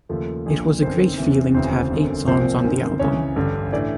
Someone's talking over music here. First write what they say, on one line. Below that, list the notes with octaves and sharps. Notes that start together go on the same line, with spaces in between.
It was a great feeling to have eight songs on the album.
D#2 C#3 F3 A3 A4
A#1 A#2 F3
G1 F#2 D#3 C4 C5
E2 C3 E3
E1 D2 C#3 E3 C4 C5
G1 F#2 D3
C2 A#2 F3 C4 C5
G1 F#2 D#3
C#2 C#3 E3 C#4 C#5
A1 G2 D3
A2 E3 D4 D5